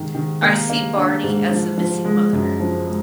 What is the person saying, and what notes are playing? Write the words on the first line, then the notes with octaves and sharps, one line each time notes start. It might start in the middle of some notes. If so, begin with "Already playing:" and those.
I see Barney as the missing mother.
Already playing: G#2 D#3
D#3
A#3
A#3
D4
G#2
F3
F3
G#3
F#2
F3
G#3